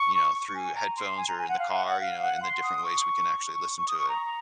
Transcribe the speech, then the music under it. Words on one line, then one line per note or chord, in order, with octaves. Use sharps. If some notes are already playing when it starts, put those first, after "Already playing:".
you know, through headphones or in the car, you know, and the different ways we can actually listen to it.
Already playing: C#6
G#5
A#5
C6
G#5
A#5
G#5
F#5
F5
F#5
F#5
F5
F#5
C6
D#6
C#6
C#6
D#6
C#6
A#5